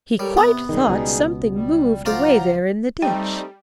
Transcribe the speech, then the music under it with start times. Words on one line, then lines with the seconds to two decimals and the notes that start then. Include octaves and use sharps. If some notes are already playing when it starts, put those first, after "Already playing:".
He quite thought something moved away there in the ditch.
0.19 G3 A4 A#4 C#5
0.37 C3 B3
0.69 B1 D#3 G3 D#4 G#4
0.87 C#2 B2
1.52 G3
2.06 F3 F#3 F4 C5 D5 A#5
3.02 G3 A3 C4 D#4 G5